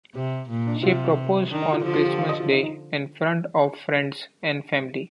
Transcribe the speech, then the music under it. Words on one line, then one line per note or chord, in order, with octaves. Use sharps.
She proposed on Christmas Day in front of friends and family.
C3 G4
A#2
D4
D#4
C3 F4
D#3 D4
D#4
F4
D3 F3 F4
F4
G4
F5
D#5
F4
D#4
D#4